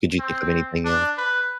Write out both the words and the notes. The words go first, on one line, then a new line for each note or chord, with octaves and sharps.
could you think of anything else?
C4
D4
B4